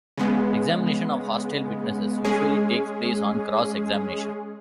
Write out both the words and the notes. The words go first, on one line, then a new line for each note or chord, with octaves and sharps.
Examination of hostile witnesses usually takes place on cross-examination.
C#3 G#3 B3
G#3 C#4 G#4